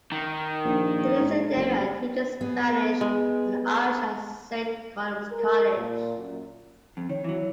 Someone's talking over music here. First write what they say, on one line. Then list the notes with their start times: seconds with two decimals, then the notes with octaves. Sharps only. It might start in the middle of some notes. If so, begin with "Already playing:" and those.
He lives in Derry and teaches Spanish and Irish at Saint Columb's College.
0.12 D#3
0.65 A#1
1.19 G#2
1.56 F#1
2.41 B3 G#4
3.01 G#3
5.32 A#4
5.75 A#2
6.16 F#2
6.97 F2
7.09 D#3 C#5
7.24 E3 F#3